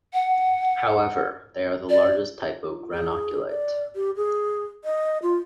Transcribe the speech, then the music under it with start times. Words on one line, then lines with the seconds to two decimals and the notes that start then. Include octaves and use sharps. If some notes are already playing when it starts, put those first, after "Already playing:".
However, they are the largest type of granulocyte.
0.14 F#5
1.90 D5
2.93 G#4
3.50 D5
3.95 G4
4.16 G#4
4.85 D#5
5.23 F4